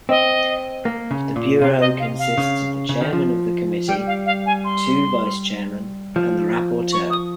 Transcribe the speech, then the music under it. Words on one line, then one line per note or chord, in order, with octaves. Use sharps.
The Bureau consists of the Chairman of the Committee, two Vice-Chairmen and the Rapporteur.
C4 D#5
A#3
C#3
A#2
C3 F5
D#5
F5
F5
C#3
C#3
D#3
F3
G3 G5
F5
F5
G#5
C6
F3
C#6
D#6